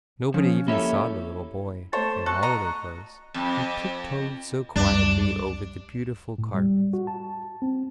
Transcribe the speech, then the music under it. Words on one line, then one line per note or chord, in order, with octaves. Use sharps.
Nobody even saw the little boy, in holiday clothes, who tiptoed so quietly over the beautiful carpets.
C#3 F3
A#3 E4 G4 A4 C#5
A3 C5 C#5 A5
F#4 A4 F#6
D#5 A#5
F2
C#2 F#2 G3 D4
A2
G3
F#4
A5
C4